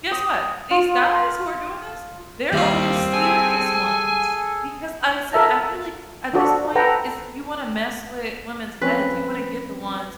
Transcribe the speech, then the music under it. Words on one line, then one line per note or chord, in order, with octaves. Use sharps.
guess what? These guys who are doing this, they're on the serious ones, because I said I feel like at this point is you wanna mess with women's heads, you wanna get the ones
D#6
F4
F5 C6
D#2 G3 C4 F4
G#4 A4 G#5
A4 A#4 E5 A5
D4 F4 F#4 A4 D5
A4 B4 F#5 G5 A#5
F3 C4 C#4 B4